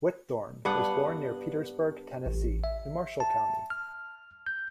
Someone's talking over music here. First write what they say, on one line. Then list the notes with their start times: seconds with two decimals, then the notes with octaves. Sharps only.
Whitthorne was born near Petersburg, Tennessee in Marshall County.
0.65 G2 B3 D4 F#5
2.26 A1
2.64 E5
3.20 A5
3.70 F6
4.47 G6